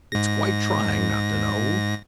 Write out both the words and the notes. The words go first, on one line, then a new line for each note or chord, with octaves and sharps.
It's quite trying not to know.
G#2 A#6